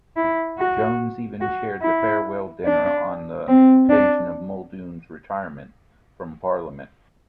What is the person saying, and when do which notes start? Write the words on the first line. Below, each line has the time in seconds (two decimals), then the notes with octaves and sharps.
Jones even chaired the farewell dinner on the occasion of Muldoon's retirement from Parliament.
0.16 E4
0.58 F#4
1.40 F#4
1.82 E4
2.65 D4
3.48 C4
3.89 D4